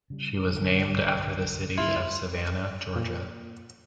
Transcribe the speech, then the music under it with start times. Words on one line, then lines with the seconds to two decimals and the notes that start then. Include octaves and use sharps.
She was named after the city of Savannah, Georgia.
0.10 C#3 G3
0.50 B1 D3
1.78 D2 C4 C#4 E4 F4
2.96 A#2